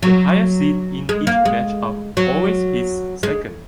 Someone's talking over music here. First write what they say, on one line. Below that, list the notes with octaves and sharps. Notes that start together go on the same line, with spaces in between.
The higher seed in each matchup always hits second.
F#3
G#3
A#3
G#3
F#3
G#3